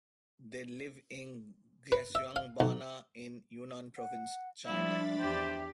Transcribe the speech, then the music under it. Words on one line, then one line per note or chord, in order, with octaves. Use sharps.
They live in Xishuangbanna in Yunnan province, China.
B4
E5
F5
B1
F#5
F3 G3 D4 E4 E5 B5 A6
E2 G4 C5